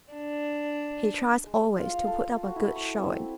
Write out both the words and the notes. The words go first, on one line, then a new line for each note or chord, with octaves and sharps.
He tries always to put up a good showing.
D4
G#3
F4
F5
A4
F#4
E4
C#6
C4